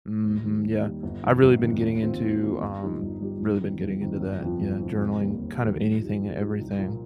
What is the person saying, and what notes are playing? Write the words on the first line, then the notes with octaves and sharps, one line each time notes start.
Mhm. Yeah. I've really been getting into, um really been getting into that. Yeah, journaling kind of anything and everything
D#2
D#3 G3
D#2
D#3 G3
G1
F2 D#3
G1
F2 D#3
D#2
D#3 C4 F4
D#2
D#3 C4 F4
G1
G2 F3 D#4 G4
G1
G2 F3 D#4 G4
G1
F2 D#3
G1
F2 D#3
G1
F2 F3
G1
F2 F3
F1
D#2 D#3 G3 A#3
F1
D#2 D#3 G3 A#3
G2
F3 D#4 G4
G2
F3 D#4 G4
C2
A#2 F3 A#3 F4